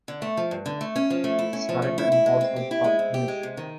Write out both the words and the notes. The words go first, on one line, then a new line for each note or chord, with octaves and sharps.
Simeon also taught music.
D3
A3
F3
G2
D3
A3
C#4
F3
A3
E4
C#4
F3
A3
E4
E4
G#3
C4
G4
E4
G#3
C4
G4
G#3
C3
D#3